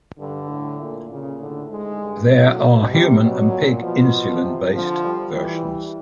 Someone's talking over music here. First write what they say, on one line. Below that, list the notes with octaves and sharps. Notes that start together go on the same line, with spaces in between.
There are human and pig insulin based versions.
G2 D3
A2
A#2
A#2 C#3
A2 D3
G#2 G#3
G2
A2 F#3
B2
C3 G3
B2 F#3
A#2
B2 F3
C3
D3 F3
G3
E3 G3
G3